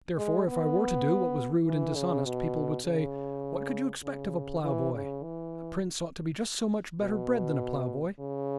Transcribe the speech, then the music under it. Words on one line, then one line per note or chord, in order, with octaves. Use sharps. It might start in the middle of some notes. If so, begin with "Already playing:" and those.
Therefore if I were to do what was rude and dishonest, people would say: 'What could you expect of a ploughboy?' A prince ought to be just so much better bred than a ploughboy.
G#3
B3
E3
C#3
B2
C#3
C#3
E3
C#3
E3
B2
C#3